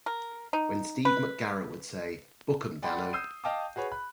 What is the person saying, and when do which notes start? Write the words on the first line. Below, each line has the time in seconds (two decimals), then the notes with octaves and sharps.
When Steve McGarrett would say, Book 'em Dano!
0.06 A#4
0.53 D#4
1.05 B4
2.82 D5 F#5 G5 B5 C6
3.13 D#6 E6 G6 C7 D#7
3.44 D#5 F5 G5 A5 D6 D#6
3.76 F#4 G#4 B4 C#5
3.92 B5 F#6